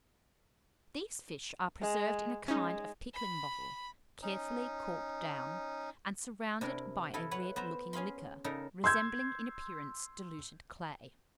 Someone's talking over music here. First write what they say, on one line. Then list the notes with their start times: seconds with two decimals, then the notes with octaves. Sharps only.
These fish are preserved in a kind of pickling-bottle, carefully corked down, and surrounded by a red-looking liquor, resembling in appearance diluted clay.
1.81 G#3
2.48 G#3 C#4 D#4
3.14 B5
4.22 C#4 D#4
6.61 C3 D4 E4 A#4
7.14 E4 A4 D#5 F5
7.31 B4 C#5 F#5
7.56 B3 C5 E5 A#5
7.93 C#4 G#4 F5 B5 C6
8.44 C#3 D#4 A4 A#4
8.84 C6 E6 G6 G#6